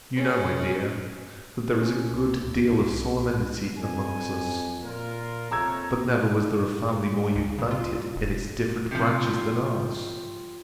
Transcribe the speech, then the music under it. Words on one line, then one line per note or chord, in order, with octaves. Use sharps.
You know, my dear, that there is a good deal of solemnity among us. But never was there a family more united in its different branches than ours.
C#4 G#4
C#4
C2
D2
C2
F2 G#5
A#2 F4 A#4
F2 A3 C#5 A#5 E6 G#6
A2
C#2
C#3
F4
E1
C3 F3